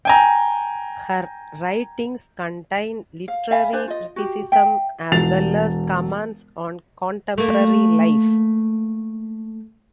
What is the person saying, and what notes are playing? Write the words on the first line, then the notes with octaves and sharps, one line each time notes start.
Her writings contain literary criticism as well as comments on contemporary life.
G5 G#5 A#5
F5
E5 F5 G#5 B5
D4 B4 C5 G#5
F4 D#5
F#4 G4
E5 G5
E1 A6 F7
A3 A#3